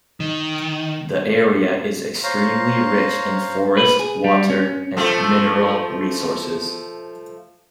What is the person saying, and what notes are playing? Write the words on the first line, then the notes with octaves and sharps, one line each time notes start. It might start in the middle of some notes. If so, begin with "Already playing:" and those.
The area is extremely rich in forest, water and mineral resources.
D#3
C5 C#5 F5 A#5
B4
G#4
G3
C#4
F3 A3